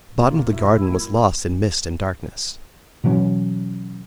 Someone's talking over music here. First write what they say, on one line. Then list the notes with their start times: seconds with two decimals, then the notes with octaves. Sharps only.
The bottom of the garden was lost in mist and darkness.
0.21 D2 B2 A#3 F4
0.53 E4 F#4 E5
0.89 G2 A#3
3.04 B2 E3 F#3 C#4